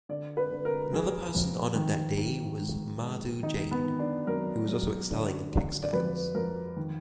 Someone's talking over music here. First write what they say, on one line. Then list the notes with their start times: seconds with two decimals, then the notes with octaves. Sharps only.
Another person honoured that day was Madhu Jain who was also excelling in textiles.
0.09 D3 D5
0.37 B4
0.51 D3
0.65 A#4
0.93 F2 G#4
1.35 F2
1.76 D#3
2.17 D#3
2.59 G#2
3.01 G#2
3.43 D#3 D#4
3.71 B3
3.84 D#3
3.99 D4
4.27 F#2 A#4
4.68 F#2
5.10 D3
5.52 D3
5.83 D5
5.93 F2 B4
6.35 F2 A#4
6.76 D#3